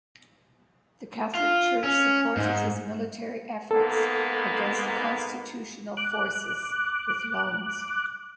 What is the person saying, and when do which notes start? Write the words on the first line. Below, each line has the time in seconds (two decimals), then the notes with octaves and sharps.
The Catholic Church supported his military efforts, against the constitutional forces, with loans.
1.35 F4
1.84 C#4
2.37 G#2
3.71 G#2 A#3 B3 A4
5.97 D6 F#6